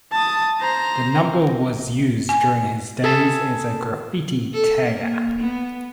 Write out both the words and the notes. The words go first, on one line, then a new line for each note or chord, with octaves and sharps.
The number was used during his days as a graffiti tagger.
A5 D#6
C5 A#5
G#5
G#4 A4 E5 A5
A4
A#3
B3